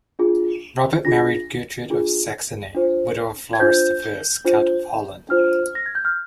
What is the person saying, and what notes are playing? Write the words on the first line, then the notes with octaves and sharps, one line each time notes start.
Robert married Gertrude of Saxony, widow of Floris the First, Count of Holland.
D4 F4 G#4
D4 F4 G#4 A#6
D4 F4 G#4
D4 F4 C5
G#6
D4 F4 C5 G6
D4 F4 C5
D4 F4 C5 F6
A#6
G#6
G6
F6